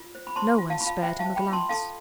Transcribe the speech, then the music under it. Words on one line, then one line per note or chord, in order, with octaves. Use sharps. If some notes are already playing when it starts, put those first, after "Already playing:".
No one spared him a glance.
Already playing: F4
C5
B5
C5 A5 C6
F4
F5 A5
F4 B5
F5 A5
C5 E5 G5
F5 A5
C5
G5 B5
F4 A5 C6
A4 F5 A5